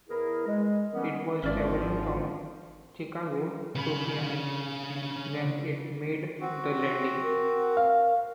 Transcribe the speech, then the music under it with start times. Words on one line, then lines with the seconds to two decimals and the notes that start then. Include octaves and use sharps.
It was traveling from Chicago to Phoenix when it made the landing.
0.08 E2 E4 G#4 A#4
0.46 G#3
0.92 D#3 E3 G3 B3 C#4
1.43 G#1 F3 C#4 E4 D5
3.75 C#3 B5
6.41 C4 F#4
7.23 A#4
7.77 F5